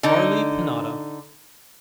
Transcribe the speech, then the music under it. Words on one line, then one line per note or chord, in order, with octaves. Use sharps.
Barley Panada.
D3 D#4